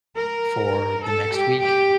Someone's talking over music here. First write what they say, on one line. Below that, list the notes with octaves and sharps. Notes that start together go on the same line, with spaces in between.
for the next week
A#4
A4
G4
G4